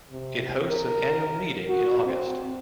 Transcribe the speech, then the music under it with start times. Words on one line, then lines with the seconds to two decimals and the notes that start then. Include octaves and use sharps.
It hosts an annual meeting in August.
0.11 C3
0.69 A#4
1.69 F#4
2.06 C4